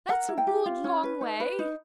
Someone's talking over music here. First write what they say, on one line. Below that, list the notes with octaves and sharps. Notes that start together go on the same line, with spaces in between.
'That's a good long way.
A#4 F#5
E4
G5
G4
F4
C#4
B4
D#4
B4
D#4